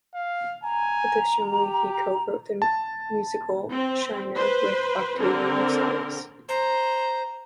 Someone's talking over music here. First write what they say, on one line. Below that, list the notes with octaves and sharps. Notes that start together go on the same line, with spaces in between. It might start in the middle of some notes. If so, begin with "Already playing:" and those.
Additionally, he co-wrote the musical "Shiner" with Octavio Solis.
F5
G#5 A#5
G4
A5
C4
B4 C5
D3 C4 A#4
C5 A#5